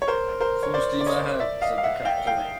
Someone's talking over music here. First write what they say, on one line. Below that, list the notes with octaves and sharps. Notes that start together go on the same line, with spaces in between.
"Full steam ahead," said the captain.
C#5
A#4 C5
A#4 C5
C#5
C5 D5
D5
C#5 D#5
D5 E5
D#5 F5
F5
E5 F#5
F5 G5
F5 G5